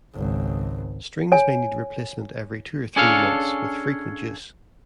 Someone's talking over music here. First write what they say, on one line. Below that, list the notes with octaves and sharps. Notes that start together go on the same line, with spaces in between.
Strings may need replacement every two or three months with frequent use.
G#1 C#2
C#5 G#5
C#4 D4 G#4 A4 C#5 F5